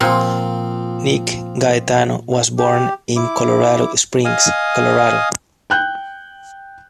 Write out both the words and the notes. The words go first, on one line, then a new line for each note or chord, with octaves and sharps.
Nick Gaetano was born in Colorado Springs, Colorado.
A#2 F3 C4
G4
E4 D6
D#5 F5 G#5 D#6
G5 F#6 G6